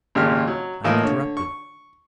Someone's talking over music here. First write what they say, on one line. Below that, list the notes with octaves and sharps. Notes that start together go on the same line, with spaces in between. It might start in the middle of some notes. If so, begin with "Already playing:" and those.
I am interrupted.
G#1 A#2 C#3 G4 F6
F#3
A2 E3 A#3 F4 D#5
D3 C#5
C#6